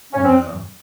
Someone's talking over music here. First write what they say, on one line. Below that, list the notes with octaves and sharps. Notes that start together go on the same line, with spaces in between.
Oh, no.
C#4
C4